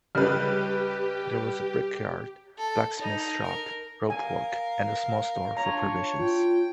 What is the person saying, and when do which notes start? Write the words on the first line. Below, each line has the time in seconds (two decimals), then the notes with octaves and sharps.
There was a brickyard, blacksmith's shop, rope walk and small store for provisions.
0.15 C#2 G3 G4 G#4 B4 F6
2.58 A4
2.99 D#4
3.43 A#4
4.10 A#4 F5 G#5
5.57 D4 F4 C#5 A#5
6.19 F4 G5